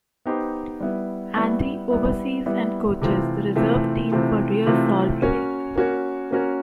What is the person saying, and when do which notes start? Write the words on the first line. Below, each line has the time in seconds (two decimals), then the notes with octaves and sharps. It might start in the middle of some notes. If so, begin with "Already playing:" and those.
Andy oversees and coaches the reserve team for Real Salt Lake.
0.26 B3 D#4 G4 C5
0.80 G3 B3 E4
1.36 G3 B3 E4
1.90 G3 B3 E4
2.46 G3 B3 E4
3.01 C3 E3 A3 C4 F4
3.56 C3 E3 A3 C4 F4
4.12 C3 E3 A3 C4 F4
4.66 C3 E3 A3 C4 F4
5.22 A#3 C#4 F#4 A#4 C#5
5.76 A#3 C#4 F#4 A#4 C#5
6.31 A#3 C#4 F#4 A#4 C#5